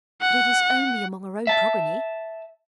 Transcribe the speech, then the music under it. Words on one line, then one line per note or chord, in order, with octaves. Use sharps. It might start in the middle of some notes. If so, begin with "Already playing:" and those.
'But it is only among our own progeny.'
F#5
E5 A5